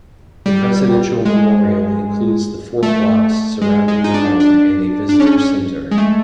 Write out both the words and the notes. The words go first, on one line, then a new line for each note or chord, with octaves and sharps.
The presidential memorial includes the four blocks surrounding the home and a visitor center.
G3
G#3
A3
G#3
G#3
D#4
D4
D4
D4
C#4
G#3
A3